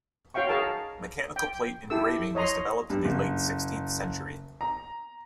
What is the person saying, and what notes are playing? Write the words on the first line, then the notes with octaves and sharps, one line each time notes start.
Mechanical plate engraving was developed in the late sixteenth century.
F#4 C#5 F5 G5 C#6
G#4 A#4 F5 A5
G5
E4 G4 A4 E6
C#5 D#5 A#5 C6
G2
F#1
A#5